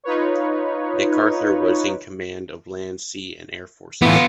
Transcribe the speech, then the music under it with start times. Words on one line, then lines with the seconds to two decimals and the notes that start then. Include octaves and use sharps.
MacArthur was in command of land, sea and air forces.
0.04 D#4 F4 B4 C#5
4.02 A2 E3 B3 F4